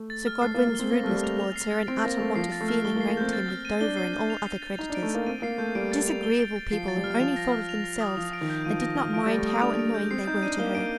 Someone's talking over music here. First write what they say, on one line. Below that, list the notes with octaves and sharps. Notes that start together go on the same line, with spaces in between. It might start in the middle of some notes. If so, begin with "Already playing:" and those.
Sir Godwin's rudeness towards her and utter want of feeling ranged him with Dover and all other creditors--disagreeable people who only thought of themselves, and did not mind how annoying they were to her.
Already playing: A3
A6
F6
A3 C7
A#3
F6
A#3
C4 G7
A#3 A#6
A3
G3 F6
A3
F7
F7
C7
A6
C4 D7
A#3 A#6
A3 F7
F3 C7
A6
A3
F6
A3 G7
A#3
C7
A#3
C4 G6
A6
F6
D#7
D4 G7
C7
G6
F7
C7
A6
D#4 F7
D4
D7
A3
A#3 A6
C4 D#7
A#3 C7
A3 G6
G3 D7
A6
F7
G7
D7
A6
F3 C7
A6
G3
F6
F3 F7
A#6
F6
F7
A#6
D#6
F3 F7
D7
D#3
G6
F3 D#7
A#6
F6
F3 D7
G3
A6
A3
D#6
D4 F7
D7
G6
C4 C7
D#4 G6
D4 D#7
A#3 G7
D7